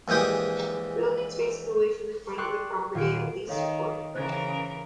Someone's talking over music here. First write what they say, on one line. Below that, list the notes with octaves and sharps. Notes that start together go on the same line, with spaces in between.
Buildings facing away from the front of the property are the least important.
A#1 E3 G#3 G4 D#6
G4 A4 D5 C6 C#6 F#6
D#1 F4 C#5 D7
D#3 A4 C#5 F5
C#3 E3 A#4 C5 F#6 G#6